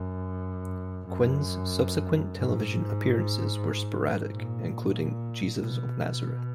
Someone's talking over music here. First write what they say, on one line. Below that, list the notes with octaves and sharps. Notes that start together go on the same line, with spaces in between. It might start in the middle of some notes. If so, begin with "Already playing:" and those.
Quinn's subsequent television appearances were sporadic, including "Jesus of Nazareth".
Already playing: F#2
F#2
G#2
A#2
B2